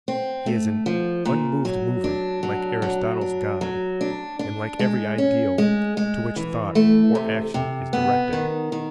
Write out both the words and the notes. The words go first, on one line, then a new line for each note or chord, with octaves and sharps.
He is an unmoved mover, like Aristotle's God and like every ideal to which thought or action is directed.
C4
A3
F3
A#2
F#3
D4
F#3
F#3
D4
F#3
D4
D4
G#3
C#4
G#3
G#3
E3
A3
C3
C3
B3
D#3
D#3